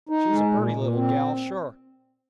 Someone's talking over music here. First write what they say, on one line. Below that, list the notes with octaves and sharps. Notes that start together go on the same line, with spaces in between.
"She's a purty leetle gal--shore."
D#4
G#3
A#2
A#2
C4